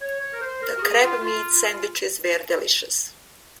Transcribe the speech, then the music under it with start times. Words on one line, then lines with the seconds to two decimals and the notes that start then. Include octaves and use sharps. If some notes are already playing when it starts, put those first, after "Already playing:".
The crabmeat sandwiches were delicious.
0.01 C#5
0.21 C#5
0.32 A#4
0.41 C5
0.62 A#4
0.78 F#4
0.82 G#4
1.03 F4
1.23 F4
1.54 F4